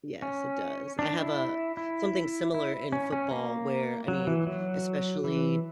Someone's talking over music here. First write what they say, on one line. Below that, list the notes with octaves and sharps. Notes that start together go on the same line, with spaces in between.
Yes, it does. I have, uh, something similar in football where, I mean, especially,
C#4
D4
E4
E4
E4
C#4
C#4
A#3
F#3
E3
F#3
E3